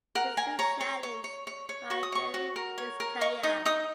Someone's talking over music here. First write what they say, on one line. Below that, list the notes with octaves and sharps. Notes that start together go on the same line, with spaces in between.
He is being challenged by Fiel Vizcaya.
A#4 F#5
A#4 G#5
C#5 A#5
C#5
C#5
C#5
C#5
C#5
F#4 C#6
D#6
C#5 C#6
F#4
A#4
C#5
A#4
D#5 C#6
D#4 D#6
D#4 D#6